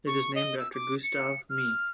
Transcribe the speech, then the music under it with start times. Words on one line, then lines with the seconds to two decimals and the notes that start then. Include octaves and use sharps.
It is named after Gustav Mie.
0.07 C#6
0.35 D#5
0.59 E6
0.74 D6
1.03 C#7
1.50 F6